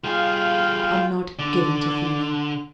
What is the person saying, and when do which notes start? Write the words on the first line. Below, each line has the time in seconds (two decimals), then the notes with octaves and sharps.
I'm not given to feelings.
0.04 G3 F4 G#4 F5 G5
1.39 D3 D5 D6